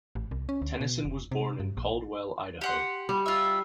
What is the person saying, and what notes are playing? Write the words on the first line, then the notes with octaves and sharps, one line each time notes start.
Tenison was born in Caldwell, Idaho.
A1
C2
C#4
D2
B2
F1
C3
G2
A#1
G4 F#5 C6
G3
F4 E5